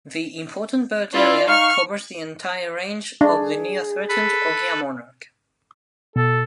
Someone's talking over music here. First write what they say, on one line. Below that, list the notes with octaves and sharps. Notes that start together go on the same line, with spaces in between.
The Important Bird Area covers the entire range of the near threatened Ogea Monarch.
E3 C#4 E4 F4 D5
D#4 F5 C#6 F6
D4 G#4
A4 B4 B5
B2 A4